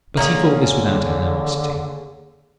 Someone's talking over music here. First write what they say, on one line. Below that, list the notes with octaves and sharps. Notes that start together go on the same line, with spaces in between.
But he thought this without animosity.
D3 A#3 C#4 G#4